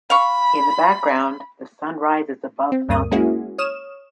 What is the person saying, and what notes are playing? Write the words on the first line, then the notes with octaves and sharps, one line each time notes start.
In the background, the sun rises above mountains.
F5 B5 C#6
C4
D2 G2 A#3 D#6
G#3 A#3 C#4 E4 F#4 G#4
C#5 D#6 F6 E7